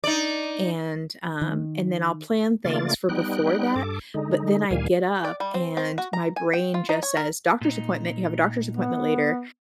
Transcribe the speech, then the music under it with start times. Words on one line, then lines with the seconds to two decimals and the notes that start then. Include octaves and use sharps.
and, um and then I'll plan things for before that, but then I get up and my brain just says, "Doctor's appointment, you have a doctor's appointment later,"
0.04 D#4 D5
1.41 D#3
2.65 C#3 A3 A#3 F4 D5 A6
3.09 G3 B3 D#4 G5 F#6
3.76 G2 A4 D6
4.14 D3 G#3 D#4
4.71 D2 A#2 D#3 G3 F5 G#5
5.25 D5
5.40 G3
5.54 C4
5.77 C4
5.98 F#4
6.13 A#5
6.36 G#5
6.53 G5
6.74 F4
6.89 D#4
7.03 C#5
7.17 A#4
7.61 A#2 D#4
8.71 B3